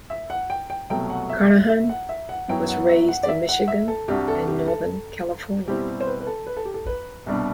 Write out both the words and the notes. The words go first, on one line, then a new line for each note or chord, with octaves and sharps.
Carnahan was raised in Michigan and Northern California.
E5
F#5
G5
G5
C2 B2 F#3 A3 G5
F#5
E5
E5
E5
F#5
E5
F#5
F#2 F#3 B3 E4 G5
F#5
E5
F#5
D5
E5
F#5
E5
A4
C2 C3 G3 D4 F#4 G4
A4
G4
A4
B2 G3 C4 E4 G4
C5
B4
B4
A4
B4
A4
G4
A4
B4
C2 B2 G3 D4